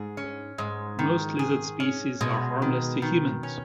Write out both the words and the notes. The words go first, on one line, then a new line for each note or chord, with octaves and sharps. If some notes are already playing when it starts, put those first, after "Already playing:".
Most lizard species are harmless to humans.
Already playing: G#2 G#4
C#4
G#2 G#3
D#3
G#4
C#4
B2 G#3
D#3
D#3
C#4